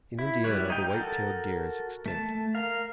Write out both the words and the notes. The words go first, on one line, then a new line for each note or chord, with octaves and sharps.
In Indiana the white-tailed deer is extinct.
E4
G3 E4 B4 C#5
D#4 G5
F#4 A4 A#4
A3 A5
A#4 F5